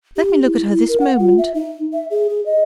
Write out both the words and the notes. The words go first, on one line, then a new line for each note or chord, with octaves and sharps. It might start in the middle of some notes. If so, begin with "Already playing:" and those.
Let me look at her this moment.
G4
E4
E4
A#4
F#5
F4
E5
D#4
E5
G#4
G#4
D#5